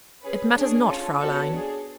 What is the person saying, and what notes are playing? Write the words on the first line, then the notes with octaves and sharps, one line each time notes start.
'It matters not, Fraeulein.
C#4 G#4 B4
D4 G#4 C#5
C#4 F4 A4 C#5
B3 F#4 A4 C#5
D4 G#4